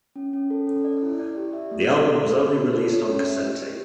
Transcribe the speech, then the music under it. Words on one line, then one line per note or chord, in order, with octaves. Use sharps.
The album was only released on cassette tape.
C#4
C#4
A4
C#4
D5
E4
D5
G4
E5
A3
A4
A4
D5
D4
D5
A4
C#5
C#4
E5
G4
D5